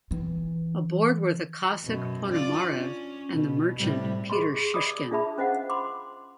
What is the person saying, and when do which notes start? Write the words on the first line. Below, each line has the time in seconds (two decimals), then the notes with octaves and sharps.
Aboard were the Cossack Ponomarev and the merchant Peter Shishkin.
0.11 E3
1.84 F#2 B2
2.32 D4 F4 D5
2.73 C#4
3.33 B2
3.78 A2 C3 G3
4.30 G4 G#4 D#5 B5 C6
4.74 D5 D#5 B5 D6 D#6
5.11 D4 F4 G#4 E5 A5 B5
5.38 C#4 C5 D#5 F5 F#5
5.70 B5 C6 D6